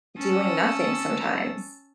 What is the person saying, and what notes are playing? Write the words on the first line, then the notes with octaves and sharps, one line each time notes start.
doing nothing sometimes.
C#4 A5 D#6 E6